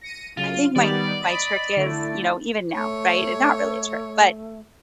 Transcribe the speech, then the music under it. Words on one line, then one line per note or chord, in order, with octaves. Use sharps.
I think my my trick is, you know, even now, right? And not really a trick, but
A#6 C#7 D#7
C#3 F#3 F4
D#3 G3 B3 D5
D#5 B5
D3 A3 E4
A3 C#5